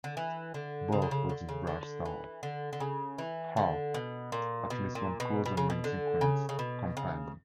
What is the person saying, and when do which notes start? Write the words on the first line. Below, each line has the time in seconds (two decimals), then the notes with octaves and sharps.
Both of these bright stars have at least one closer main sequence companion.
0.04 D3
0.17 E3
0.54 D3
0.92 C#3
1.02 D3
1.11 C#3
1.30 D3
1.49 C#3
1.67 D3
2.05 E3
2.43 D3
2.73 D3
2.80 C#3
3.18 E3
3.57 D3
3.94 B2
4.32 A#2
4.70 B2
4.95 A#2
5.20 B2
5.46 B2
5.57 C#3
5.70 B2
5.84 D3
6.21 C#3
6.49 C#3
6.59 B2
6.97 C#3